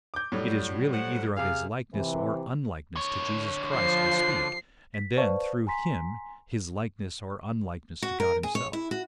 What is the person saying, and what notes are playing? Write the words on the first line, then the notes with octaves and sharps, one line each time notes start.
It is really either of his likeness or unlikeness to Jesus Christ we speak, and then, through Him, his likeness or unlikeness to God Himself.
D6 G6
A2 F#3 G3
C5 F#5
C3 G#4 F5
C3 E3
D3 C#5
F3 C7
B6
B4 C5 D5 F5 A5 C#6
G#5 A#5 C6 B6
F#4
A#4
G#4
C#5
E4
F#4